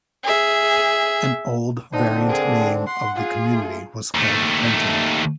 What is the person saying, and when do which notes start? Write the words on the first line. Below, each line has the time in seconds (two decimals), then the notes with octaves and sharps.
An old variant name of the community was called Benton.
0.23 G#4 E5
1.93 D3 C4 D4 D#4
2.27 G#4 A#4
2.86 F#5 C6
3.16 F4 G#4
3.51 A3
4.15 D#2 A3